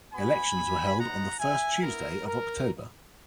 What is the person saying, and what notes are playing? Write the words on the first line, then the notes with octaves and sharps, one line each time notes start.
Elections were held the first Tuesday of October.
B3 F#4 G#5 B5
G#3 B3 D#4 F#5 A#5
E5 G#5
B3 E4 A#4
A#4